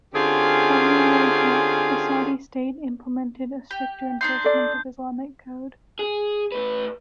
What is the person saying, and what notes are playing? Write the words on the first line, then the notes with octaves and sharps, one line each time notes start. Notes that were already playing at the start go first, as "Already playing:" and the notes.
Following the attack, the Saudi state implemented a stricter enforcement of Islamic code.
D3 C4 C#4 F4 G4 G#4
G4
D4 D#4 C6 G6
A4 D5
G#4
A2 B4